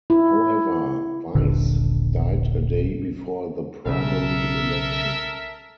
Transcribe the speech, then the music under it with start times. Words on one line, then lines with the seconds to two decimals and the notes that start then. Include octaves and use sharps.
However, Weiss died a day before the primary election.
0.10 E4
1.35 D#1 A#1 D3
3.86 B1 C#3 A4 A#4 E5